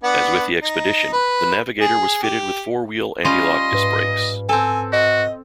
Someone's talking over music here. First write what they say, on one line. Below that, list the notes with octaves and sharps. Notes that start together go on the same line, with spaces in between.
As with the Expedition, the Navigator was fitted with four-wheel anti-lock disc brakes.
B3 D4 F#5
D#4
B4
G#4
G4
G3 C#4 F4 D#5 C6
G#2 B4
C4 A4 G#5
F#4 D#5